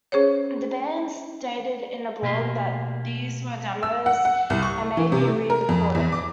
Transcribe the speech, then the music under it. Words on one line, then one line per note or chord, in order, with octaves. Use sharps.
The band stated in a blog that these were demos and may be re-recorded.
C#4 G#4 C5 C#5
B2 A3 A#3 G4 C6
E6
F#5
F#5
C2
C#6
E3
C3
A3
A#4
F2
E2
D6